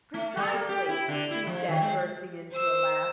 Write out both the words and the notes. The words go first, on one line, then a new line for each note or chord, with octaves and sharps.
"Precisely," he said, bursting into a laugh.
A3
G3
A#3
G4
E4
D3
E4
F3
D#3
G#3
C5 E6